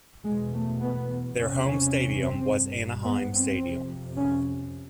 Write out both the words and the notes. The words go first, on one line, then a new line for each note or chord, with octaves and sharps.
Their home stadium was Anaheim Stadium.
E2 B2 G#3
A3
B3
E2 C3 C#4
C#4
C#4
C4
G2
B3
C4
F2 C3
C#4